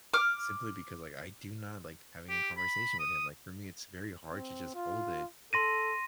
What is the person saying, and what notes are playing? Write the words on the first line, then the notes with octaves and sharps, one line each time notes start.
Simply because, like, I do not like having a conversation with him. Like, for me, it's very hard to just hold it,
D6 F6
G4
B5
D#6
C4
F4
A4 C6 A#6 D#7